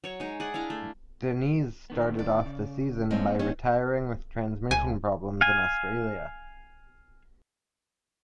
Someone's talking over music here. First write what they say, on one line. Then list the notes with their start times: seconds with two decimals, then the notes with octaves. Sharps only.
Diniz started off the season by retiring with transmission problems in Australia.
0.04 F#3 C#5 C#6
0.20 G#3 D#4
0.40 G#4 D5 F#5
0.54 D4 E4 F5 A#5
0.70 A3
1.90 D3 D#3 B3
2.19 D5
2.46 C#3
3.11 G2 G#3 A#3 C4 C#5 D#5
3.39 D#3 C#4
4.71 C#2 G#5
5.41 F5 G#5